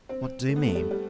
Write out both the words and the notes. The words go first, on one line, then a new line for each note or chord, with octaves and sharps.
"What do you mean?"
C4
A3
B3
A3
G3
A3
G3